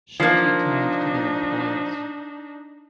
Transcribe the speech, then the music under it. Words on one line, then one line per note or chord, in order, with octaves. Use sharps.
Shorty turned to their employers.
F3 A#3 D4 D#4